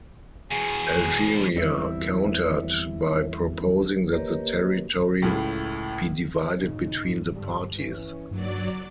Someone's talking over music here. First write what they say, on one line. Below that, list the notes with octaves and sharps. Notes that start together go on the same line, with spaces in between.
Algeria countered by proposing that the territory be divided between the parties.
E2 B2 G#4
E2 G3 C4 E4 E5
A#3 G4 A#4 B4 C#5 D#5
C#2 A2
G2 A#2 C#3 D#4
G#2
G2 D3 F3 G3
E3 C#4
F#1 G2 D#3 F#3 A#3 D5